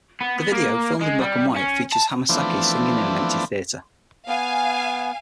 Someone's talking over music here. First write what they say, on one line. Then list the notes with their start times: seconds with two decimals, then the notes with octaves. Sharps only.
The video, filmed in black and white, features Hamasaki singing in an empty theatre.
0.21 B3
0.40 B3
0.52 A#3
1.01 G#3
1.21 G3
1.56 C#4
1.92 A5
2.29 E3 F3 A3 B3 C4 D4
4.28 B3 F5 G#5